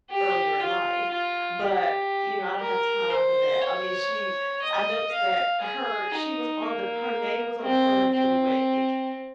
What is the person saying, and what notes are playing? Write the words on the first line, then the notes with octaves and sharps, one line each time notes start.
earlier in life, but, you know, I don't have time for that. I mean, she I've noticed that her she was on the her name was on the program for the wake,
G4
F4
F4
G4
A#4
C5
C#5
D#5
F5
G#4
D#4
A#3
C4
C4